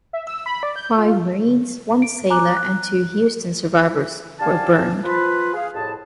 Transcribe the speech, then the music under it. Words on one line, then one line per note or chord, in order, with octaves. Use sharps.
Five Marines, one sailor and two "Houston" survivors were burned.
E5
E6
B5
D5
G6
F4
D7
G#5 A#5 D6 F#6
F#6
D4 G4 F5 G#5 A5
F3 F4 B4
G#4 F5
C2 F2 A2 G#4 A5